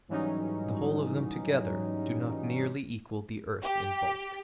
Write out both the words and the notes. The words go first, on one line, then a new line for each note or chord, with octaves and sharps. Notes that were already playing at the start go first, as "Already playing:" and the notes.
The whole of them together do not nearly equal the earth in bulk.
G#2 E3 F#3 G3 C#4 D#4
G4